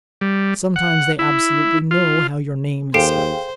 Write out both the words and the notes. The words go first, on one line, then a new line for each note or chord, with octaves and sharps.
Sometimes they absolutely know how your name is spelt!
G3
F#5
E4
F4
D#2 G#4 A4 C5 F5 G5 C7 D7